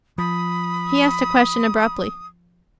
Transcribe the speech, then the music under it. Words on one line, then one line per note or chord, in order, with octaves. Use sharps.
He asked a question abruptly.
F3 B5 D#6